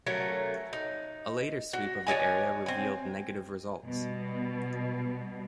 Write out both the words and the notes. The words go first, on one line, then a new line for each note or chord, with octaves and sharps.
A later sweep of the area revealed negative results.
F#3 A3 A#3 C#4
D#4
F#4
D4 C#5 D#5 G#5
C4 G#5
B2 G3